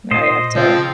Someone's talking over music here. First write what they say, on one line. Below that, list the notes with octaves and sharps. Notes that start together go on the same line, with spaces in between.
now I have to
A#2 C5 D#5
C#3 F3 C4